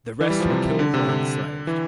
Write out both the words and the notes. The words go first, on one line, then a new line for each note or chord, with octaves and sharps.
The rest were killed or enslaved.
E3
G3
F3
C3
D3
C3
D3
E3